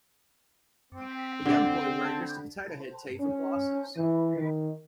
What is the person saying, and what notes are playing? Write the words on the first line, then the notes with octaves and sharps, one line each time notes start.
A young boy wearing Mr. Potato Head teeth and glasses.
C4
D3 D5
C#4
E3
D#3